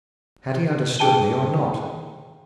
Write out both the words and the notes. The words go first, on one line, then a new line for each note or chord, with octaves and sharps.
Had he understood me or not?
G#4 G5 A5 D#7 G7